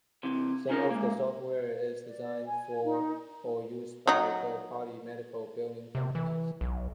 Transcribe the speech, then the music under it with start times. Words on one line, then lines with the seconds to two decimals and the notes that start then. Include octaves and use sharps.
Some of the software is designed for or used by third-party medical billing companies.
0.23 C3 E3
0.69 C#4 D#4 F4 A#4
0.91 G#3 A#3
2.06 D5
2.46 G#5
2.84 D#4
4.07 F#3 D#4
5.95 C3
6.15 E3
6.61 B1